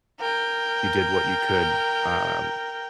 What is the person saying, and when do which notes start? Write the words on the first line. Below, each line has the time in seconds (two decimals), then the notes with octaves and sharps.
you did what you could, um,
0.20 A#4 G5